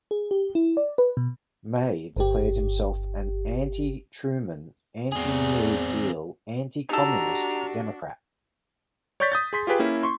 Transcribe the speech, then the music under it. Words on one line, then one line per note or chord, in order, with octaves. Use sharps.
May declared himself an anti-Truman, anti-New Deal, anti-communist Democrat.
G#4
G4
E4
D5
B4
B2
G1 G4
E2 C4 G#4
D4 D#4 F#4 G4 A4 A#5
C#5 D5 C#6 G6 A6 B6
D#6 G6 A6
G#4 C6 B6
F4 G4 G#4 B4 G5
A#3 C#4 E4
C6 C#6